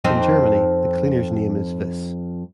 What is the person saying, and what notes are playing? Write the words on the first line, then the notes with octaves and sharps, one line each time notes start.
In Germany, the cleaner's name is Viss.
F2 C4 D#4